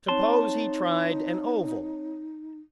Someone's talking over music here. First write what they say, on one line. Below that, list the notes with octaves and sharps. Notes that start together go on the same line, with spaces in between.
Suppose he tried an oval.
C4 D#4 C#5 A5 C6